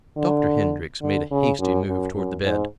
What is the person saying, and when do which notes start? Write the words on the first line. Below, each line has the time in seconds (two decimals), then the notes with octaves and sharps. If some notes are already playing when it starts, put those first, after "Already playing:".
Dr. Hendrix made a hasty move toward the bed.
0.17 D3
1.01 D3
1.31 C#3
1.59 F#2
1.88 F#2
2.15 F#2
2.43 G#2